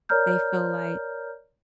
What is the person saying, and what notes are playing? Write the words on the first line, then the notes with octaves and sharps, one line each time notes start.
they feel like
A#4 C#5 D5 A#5 F6 G6